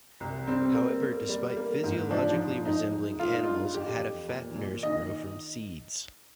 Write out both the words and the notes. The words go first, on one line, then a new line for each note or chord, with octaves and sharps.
However, despite physiologically resembling animals, Hattifatteners grow from seeds.
C2
G3 C4
A#3
A#3
G3
A#3
G#2
F3 D4
F3
G#2 D#4
G#3
G#3 F4
D#4
G2 F4
F2 G4
F2
A#2
A#2
D#3 D#5